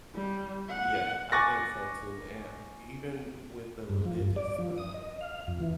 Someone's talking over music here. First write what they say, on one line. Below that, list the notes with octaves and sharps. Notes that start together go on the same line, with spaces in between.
Yeah. I think so, too. And even with the religious, um,
G3
F#5
G#5 C#6 D6 F#6 A6 A#6
G2
F3
G2
D5
F3
D#6
D#5
F5
F2
E3